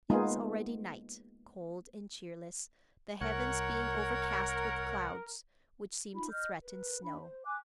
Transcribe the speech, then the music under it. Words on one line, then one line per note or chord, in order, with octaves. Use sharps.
It was already night, cold and cheerless, the heavens being overcast with clouds which seemed to threaten snow.
G#3 A#3 B3 D#4 F4 G#4
C2 A#4 C#5 F#5
D#4 F4 B5
D#5 F6 G6
A#4 B4
D4 B5
C5
G#5 D6 F#6